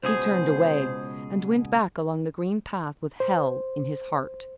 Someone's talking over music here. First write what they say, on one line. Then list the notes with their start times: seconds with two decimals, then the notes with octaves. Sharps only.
He turned away, and went back along the green path with hell in his heart.
0.03 C#2 B2 G#4 C5
3.20 C5